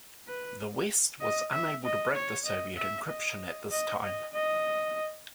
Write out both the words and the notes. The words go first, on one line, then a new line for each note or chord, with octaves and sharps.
The West was unable to break the Soviet encryption at this time.
B4
D#5
E5
D#5
C#5
D#5
E5
D#5
D#5
D#5
D#5